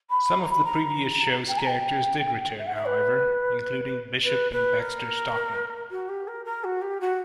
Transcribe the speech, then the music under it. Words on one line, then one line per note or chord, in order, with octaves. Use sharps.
Some of the previous shows characters did return, however, including Bishop and Baxter Stockman.
B5
A#5
B5
A#5
G5
A#5
G5
E5
F#5
E5
B4
B4
B4
A#4
F#4
G4
A#4
A#4
F#4
G4
F#4